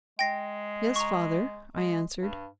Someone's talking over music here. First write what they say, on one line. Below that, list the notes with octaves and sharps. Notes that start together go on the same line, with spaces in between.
"Yes, father," I answered.
G#3 G5 A#6 C7
A#5 C#6
G#3
G2